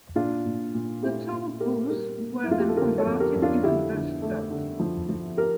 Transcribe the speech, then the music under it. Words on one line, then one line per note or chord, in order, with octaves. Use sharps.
The toll booths were then converted into bus stops.
A#2 D4 F4
A#2
A#2
A3 E4 G4
A#2
A3 G4 A#4
G3 G4 A#4
A#3
E4
F2 F4
G4
A4
D3 G4 A#4
A4 C#5
F2
G4 A#4
F2
D4 F4
D3 E4 G4
D3
A3
D3
F3
F3
G4 A#4